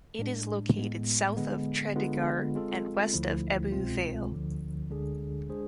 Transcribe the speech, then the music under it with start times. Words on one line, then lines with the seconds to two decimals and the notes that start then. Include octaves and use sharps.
It is located south of Tredegar and west of Ebbw Vale.
0.19 A2 G#3 D4
0.78 A2 G#3 B3
1.37 D3 G#3 B3
1.96 D3 G#3 B3 F4
2.55 G#3 C4 F4 A4
3.13 D2 D3 F3 A3 E4
3.72 C2 B2 G#3 C4 F4
4.31 D2 D3 F3
4.90 D2 D3 G#3 D4 G#4
5.49 G#3 D4 G#4 C5